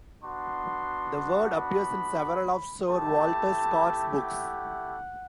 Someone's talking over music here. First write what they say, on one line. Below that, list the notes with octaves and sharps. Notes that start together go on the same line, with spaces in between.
The word appears in several of Sir Walter Scott's books.
B3 D4 F#4 C6
B5
A3 E4 G4 A5
F#5